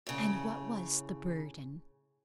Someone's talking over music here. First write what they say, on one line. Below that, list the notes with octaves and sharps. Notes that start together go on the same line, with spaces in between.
And what was the "burden"?
A2 C#3